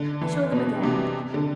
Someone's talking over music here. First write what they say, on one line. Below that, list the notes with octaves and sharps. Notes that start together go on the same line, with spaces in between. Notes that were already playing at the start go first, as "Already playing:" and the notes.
He showed them again.
Already playing: D3
E3
B2
C3
D3